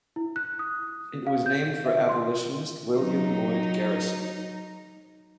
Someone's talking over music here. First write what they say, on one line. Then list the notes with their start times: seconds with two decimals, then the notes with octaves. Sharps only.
It was named for abolitionist William Lloyd Garrison.
0.16 E4
0.36 F#6
0.59 D#6
1.27 F5
1.46 G6
1.86 E5
2.09 C6
2.98 F#3 D#4